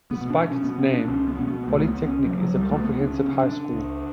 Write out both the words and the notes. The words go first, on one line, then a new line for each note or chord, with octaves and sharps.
Despite its name, Polytechnic is a comprehensive high school.
B3
B2
D4
B2 C#4
B3
B2 C#4
D4
D4
C#2 C#4
B3
B2 C#4
B3
C#2 A3
B3
C#2
C#4
C#3 F#3
F#3
C#2 G3
A3
C#2 B3
D4
C#3 C#4
C#4
C#3 D4
C#2